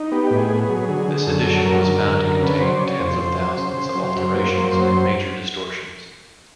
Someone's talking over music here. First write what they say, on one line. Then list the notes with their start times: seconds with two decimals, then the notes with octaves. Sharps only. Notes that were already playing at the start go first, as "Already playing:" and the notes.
This edition was found to contain tens of thousands of alterations and major distortions.
Already playing: D#4
0.12 B3 G4
0.31 A2
0.37 G#4
0.50 B3
0.63 G#4
0.69 F#3
0.88 D3 G#4
1.08 D3
1.26 F#2 A4
1.46 F#3
1.65 F#2 A#4
1.85 D3
2.04 F#2
2.24 D3
2.42 C#3 B4
2.61 F#3 C5
2.76 D5
2.80 C#3 C#5
3.00 F2 C5
3.18 F2 C5
3.39 F#3
3.57 C#3
3.77 C#3
3.95 F#3
4.15 F#2
4.34 A#3
4.53 F#3
4.72 F#2 C5